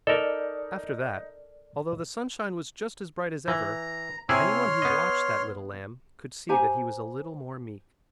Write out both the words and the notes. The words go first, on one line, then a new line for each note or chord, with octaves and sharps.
After that, although the sunshine was just as bright as ever, any one who watched that little lamb could see that he was a little more meek.
D#4 A4 A#4 D5
E3 A#5
C3 E4 G#4 C#5 C6 F6
B3 D#5
G4 C5 G#5 A#5